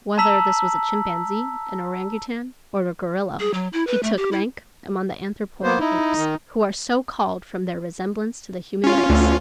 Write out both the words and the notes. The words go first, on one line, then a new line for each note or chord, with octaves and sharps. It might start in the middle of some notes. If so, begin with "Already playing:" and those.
Whether this was a chimpanzee, an orangoutang, or a gorilla, he took rank among the anthropoid apes, who are so called from their resemblance to the human race.
A5 A#5 E6 B6 F#7
G#4
F#3
E4
B4
A3
G4
E4
A#3 B3 C5
D#4 E4
D#3
C#4 F4
D2